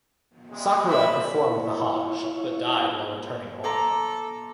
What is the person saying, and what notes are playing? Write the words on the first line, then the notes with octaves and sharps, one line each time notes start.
Sakura performed the Hajj, but died while returning home.
C3 G3 G#3
E5 B5
E4 F4 C#5
A4 A#5 C6 D6